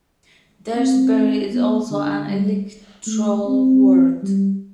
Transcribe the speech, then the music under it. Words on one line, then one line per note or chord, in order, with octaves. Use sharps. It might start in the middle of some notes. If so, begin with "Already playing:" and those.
Daresbury is also an electoral ward.
C4
B3
D3
G3
A3
C4
G3